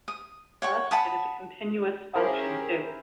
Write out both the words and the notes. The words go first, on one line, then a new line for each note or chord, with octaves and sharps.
Thus it is a continuous function, too.
D#6
C#5 F#5 C#6
F#5 A5 B5 D#6
C#4 E4 G4 G#4 A#4 C5